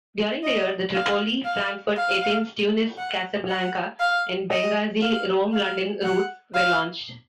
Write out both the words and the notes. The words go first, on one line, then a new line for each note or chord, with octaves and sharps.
During the year, the Tripoli-Frankfurt-Athens-Tunis-Casablanca and Benghazi-Rome-London routes were launched.
D#5
F5
F5
F5
F#5
F#5
F5
D#5
F5
F5
F#5
F5